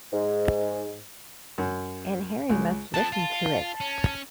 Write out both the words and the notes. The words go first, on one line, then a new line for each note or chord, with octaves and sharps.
And Harry must listen to it.
G#2
F#2
C#2
F3 C4 A5
F4
C#4